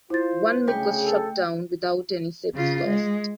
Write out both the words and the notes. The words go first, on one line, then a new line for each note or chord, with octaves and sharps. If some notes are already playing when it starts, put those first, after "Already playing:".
One MiG was shot down, without any Sabres lost.
E4 F4 C5 A6
D2 C#3 A3 G#4 G5 G6
A4
C#3 F4
G#3